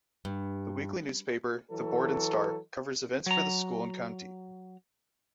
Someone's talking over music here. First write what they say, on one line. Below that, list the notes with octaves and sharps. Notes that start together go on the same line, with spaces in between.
The weekly newspaper, the "Borden Star", covers events for the school and county.
G2
E3 F#3 A4
F#3 A#5